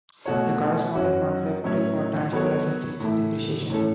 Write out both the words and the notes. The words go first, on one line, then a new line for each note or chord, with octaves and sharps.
A corresponding concept for tangible assets is depreciation.
B2 A3 F#4 C#5
F#2 F#3 C#4 F#4
A2 F#3 C#4 E4 C#5
F#3 B3 A4 C#5
A2 E3 A3 E4
A2 E3 C#4 A4